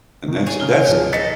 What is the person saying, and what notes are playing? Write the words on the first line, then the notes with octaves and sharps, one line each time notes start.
And that's that's
D#3
G#4 C#5
C#3 F6 G7
D1 F3
D#4 A4 A6 B6 C#7